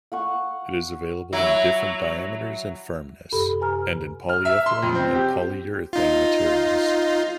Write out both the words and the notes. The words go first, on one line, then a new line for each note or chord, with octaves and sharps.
It is available in different diameters and firmness, and in polyethylene and polyurethane materials.
F5 F#5 C#6
F#3 E4
F#2 C3 G4 A4 B5
G4 B4 G#5 A#5 F6
F6
E5
C6
F2
C4
G4
D#4 F4